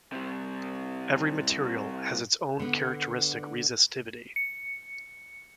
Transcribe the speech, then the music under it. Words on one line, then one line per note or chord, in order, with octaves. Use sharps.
Every material has its own characteristic resistivity.
C3 G3
D3 B3
C#7